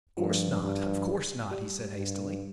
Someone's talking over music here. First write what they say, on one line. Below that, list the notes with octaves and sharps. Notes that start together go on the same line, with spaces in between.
"Of course not--of course not!" he said hastily.
G2 F3
G2
G3
G2